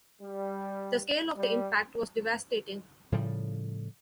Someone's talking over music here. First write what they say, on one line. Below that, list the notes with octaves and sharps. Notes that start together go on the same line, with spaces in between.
The scale of the impact was devastating.
G3
G3
A2 C#3 F3 G3